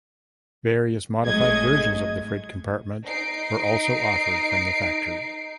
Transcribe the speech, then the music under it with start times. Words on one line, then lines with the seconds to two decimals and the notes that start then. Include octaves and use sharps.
Various modified versions of the freight compartment were also offered from the factory.
1.24 G#1 F#3 G#3 A3 D#5 G#6
3.03 D#4 C7 D7